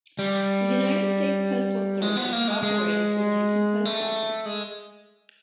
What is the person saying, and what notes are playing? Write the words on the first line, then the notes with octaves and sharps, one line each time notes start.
The United States Postal Service operates the Newton Post Office.
G3
G#3
B3
A#3
G#3
G#3
A3
G#3